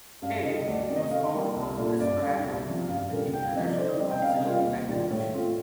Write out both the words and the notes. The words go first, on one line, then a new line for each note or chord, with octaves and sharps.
Pei was fond of Esperanto, an international auxiliary language.
G2 F5
D3 G3 D#5
D2 D5
D5
C3 D#3
D#5
D3 F5
G3 A#3
C2
A#2 A3 D4 F4
G2 D5
D3 G3 F5
C2
C3 F3
G2 F5
D3 G3 A#3
C2 G5
F5
C3 F3 D#5
D5
D3 C5
D5
G3 C4 D#5
G5
C3 F5
D#5
G3 A#3 F4
F5
D#2
D#3 G3 D4 F4
A2
A3 C4 F4